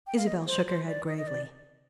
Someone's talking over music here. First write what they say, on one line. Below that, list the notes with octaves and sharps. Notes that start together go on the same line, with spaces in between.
Isabel shook her head gravely.
G5
F5
D#5
C5
C5
D5
D#5
D#5
D5